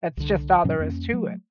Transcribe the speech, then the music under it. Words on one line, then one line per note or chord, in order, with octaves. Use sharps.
That's just all there is to it.
C2 D3
G2 B2 F#3 C#4
F2 A#3 C4 C#4
F#3 A3